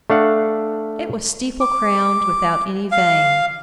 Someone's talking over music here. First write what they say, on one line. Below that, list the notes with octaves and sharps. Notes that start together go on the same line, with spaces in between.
It was steeple-crowned, without any vane.
A3 D4 F5 F#5
D6
F5